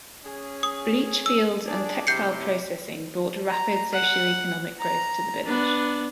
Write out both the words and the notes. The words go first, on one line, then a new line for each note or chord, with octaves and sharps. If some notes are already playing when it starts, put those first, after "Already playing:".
Bleachfields and textile processing brought rapid socioeconomic growth to the village.
C#4 G#4
D#6
E6
D4 G#4 D5
C3 E4 G4 G6 C7 C#7
A#5
F#5
A#5
B3 D4